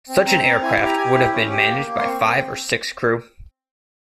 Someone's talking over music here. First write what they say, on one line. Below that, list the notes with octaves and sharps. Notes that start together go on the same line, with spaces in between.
Such an aircraft would have been managed by five or six crew.
C4
C4 A#5
C4 A#5
E4 G#5
G4
A#5
G4 G#5
E4
C#4
G4
A#3
A#3
C6
C4 C#6
C4